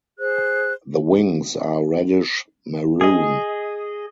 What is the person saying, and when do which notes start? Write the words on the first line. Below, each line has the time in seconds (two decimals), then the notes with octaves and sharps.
The wings are reddish maroon.
0.18 G#4 C5 F#6
3.01 G#4 D#5